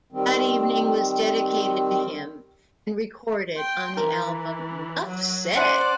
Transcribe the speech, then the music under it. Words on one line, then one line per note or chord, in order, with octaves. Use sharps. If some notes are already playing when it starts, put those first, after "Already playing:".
That evening was dedicated to him and recorded on the album "'Nuff Said!".
D#3 G3 C4
G5 C6
E3 A#4
F#3
C#4 C5 D5 F#5 C#7 D#7